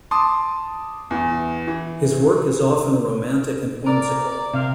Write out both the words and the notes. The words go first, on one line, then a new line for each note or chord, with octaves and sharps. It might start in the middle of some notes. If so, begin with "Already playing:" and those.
His work is often romantic and whimsical.
A5 C6 D6 D#6
E2 E3
E3
A#4 D5
C3 A#4 F5